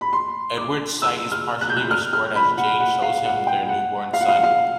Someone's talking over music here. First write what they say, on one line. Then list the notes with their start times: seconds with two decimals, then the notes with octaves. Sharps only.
Edward's sight is partially restored as Jane shows him their new-born son.
0.01 B5
0.13 C6
0.57 D6
1.02 E6
1.32 F6
1.61 F#6
1.69 G6
1.77 F#6
1.91 F6
2.13 F6
2.35 B5
2.58 F#5
2.80 F#5
3.02 F5
3.25 F#5
3.47 G5
3.69 F#5
4.13 F5
4.21 F#5
4.28 F5
4.36 F#5
4.43 F5